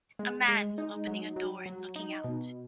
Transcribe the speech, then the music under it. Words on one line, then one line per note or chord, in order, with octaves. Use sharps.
A man opening a door and looking out.
G#3
G#3
D#4
F#3
F#3
F#3
D#4
B2